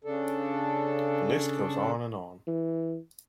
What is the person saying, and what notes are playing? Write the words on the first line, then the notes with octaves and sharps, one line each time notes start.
The list goes on and on.
C#3 D4 A4
E3